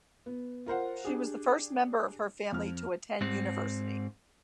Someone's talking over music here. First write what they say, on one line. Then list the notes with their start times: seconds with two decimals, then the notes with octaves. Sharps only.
She was the first member of her family to attend university.
0.26 B3
0.66 F4 A#4 C5 F#5
1.05 D4 G4 G#4
2.52 F2 F6
3.21 G#2 C4